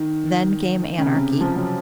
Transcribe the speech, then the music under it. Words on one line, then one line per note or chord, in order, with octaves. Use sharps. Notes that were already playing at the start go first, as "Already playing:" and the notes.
Then came anarchy.
Already playing: D#3
C#3
C3
C#3
F3
F#3